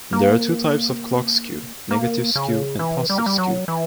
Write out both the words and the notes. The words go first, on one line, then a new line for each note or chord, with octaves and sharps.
There are two types of clock skew: negative skew and positive skew.
A#3
A#3
C#3
E3
G3
A#3
G3
F#3
E3